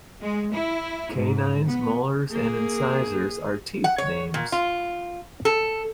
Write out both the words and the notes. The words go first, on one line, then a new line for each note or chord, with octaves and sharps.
Canines, Molars and Incisors are teeth names.
G#3
E4
G#2
B3
A#3 G#4
F#5
C#5
A#2
F4
A4